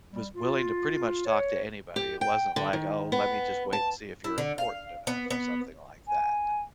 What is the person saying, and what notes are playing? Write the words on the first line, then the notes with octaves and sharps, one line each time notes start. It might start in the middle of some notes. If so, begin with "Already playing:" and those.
was willing to pretty much talk to anybody. It wasn't like, "Oh, let me just wait and see if you're important enough," or something like that.
G3
F4
C#5
G4
G5
D3
D#3
B3
A5
E4
D3
F5
B3
B3
G#5